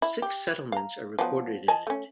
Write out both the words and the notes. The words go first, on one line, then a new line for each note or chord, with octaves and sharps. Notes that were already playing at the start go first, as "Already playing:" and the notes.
Six settlements are recorded in it.
E4
G4
F5 A#5
F3 F#3 B3
D#5 G#5 A5
A3 C#4